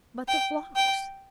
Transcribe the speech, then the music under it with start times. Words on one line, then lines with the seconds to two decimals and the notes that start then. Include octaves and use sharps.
"But the flocks!"
0.28 G5
0.76 G5